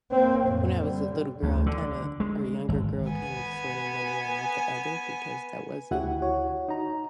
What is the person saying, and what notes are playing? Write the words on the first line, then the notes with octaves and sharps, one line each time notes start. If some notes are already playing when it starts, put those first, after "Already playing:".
when I was a little girl, I kinda or younger girl kinda just went in one ear and out the other, because that wasn't
A#3 C4
F2 A2
D3 G3
D2
D3
G#3
G#1
B3 G#5
D2 E4 F#4 G4 F#5
F#4 C#5
D#4 A#5